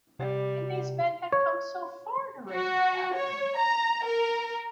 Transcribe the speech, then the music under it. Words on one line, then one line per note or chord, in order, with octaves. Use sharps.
And these men had come so far to raise a cabin!
C3 G3
C#5
F#4
C#5
A#5
A#4